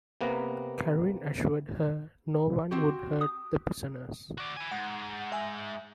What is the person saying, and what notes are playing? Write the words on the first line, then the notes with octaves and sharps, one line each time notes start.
Karin assured her no one would hurt the prisoners.
C3 A#3 B3 B4 A#5
C4 F#4 G4
D#6
F#4 D5
B4 G#5
G#2 F#5
E5 G#5